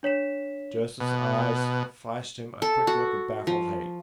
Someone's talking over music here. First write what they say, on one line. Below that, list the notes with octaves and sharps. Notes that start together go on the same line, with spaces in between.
Joseph's eyes flashed him a quick look of baffled hate.
D4 C#5 B6 E7
B2
A4
F#4
F3